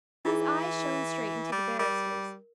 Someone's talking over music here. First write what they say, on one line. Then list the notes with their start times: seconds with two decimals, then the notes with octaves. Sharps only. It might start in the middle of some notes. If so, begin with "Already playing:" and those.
His eyes shone straight into the barrister's.
0.25 E3 D#4 E4 G#4
1.52 G3
1.79 G3 A#4